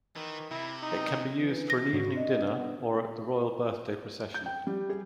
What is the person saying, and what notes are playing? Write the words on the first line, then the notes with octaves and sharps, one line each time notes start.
It can be used for an evening dinner or at the Royal Birthday Procession.
D#3 E3
C3 E4
D#4
E3
A#6
G#2 C#3 C#4 F#4
D4 D#5
B3
G6
G5
G3
G#4